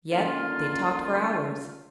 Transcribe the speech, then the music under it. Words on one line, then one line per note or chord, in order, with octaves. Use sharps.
Yet they talked for hours.
D3 D#3 A#3 C#4 F4